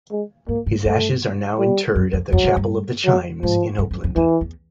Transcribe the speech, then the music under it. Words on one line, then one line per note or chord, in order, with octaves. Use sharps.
His ashes are now interred at the Chapel of the Chimes in Oakland.
G#3
G#2 A#3
G#2
G2 A3
G3
F#2
F2
F2 F#3
F#2
G2
F#3
G#2 F3
G2
F#2
F2
E2 E3
E2